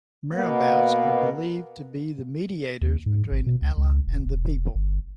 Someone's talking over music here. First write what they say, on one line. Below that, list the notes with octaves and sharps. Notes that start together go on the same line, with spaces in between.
Marabouts are believed to be the mediators between Allah and the people.
B2 A#3 B3
D#2
G#2
G#1
B2
C#2
C#2
E1
E1
G1